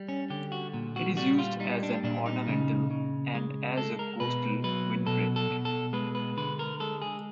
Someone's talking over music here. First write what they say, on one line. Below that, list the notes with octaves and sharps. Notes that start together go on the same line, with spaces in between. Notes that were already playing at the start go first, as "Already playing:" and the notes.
It is used as an ornamental, and as a coastal windbreak.
Already playing: G3
C#4
D3 G4
F#4
A#2
F#4
G3 F#4
F4
G3 D#4
D4
A#2 D4
D#4
C#3
C#3
G#3
G#3 A4
A#4
B2 B4
F#3 B4
B2 A4
A4
B2
A4
G#3 B4
B4
D3 B4
A#4
G#3 A4
G#4